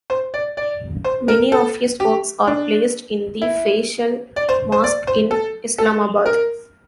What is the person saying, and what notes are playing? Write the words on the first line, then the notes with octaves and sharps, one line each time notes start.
Many of his works are placed in the Faisal Mosque in Islamabad.
C5
D5
D5
C5
A#4
A4
G4
D4
E4
D5
C5
C5
D5
C5
A4
A4
A#4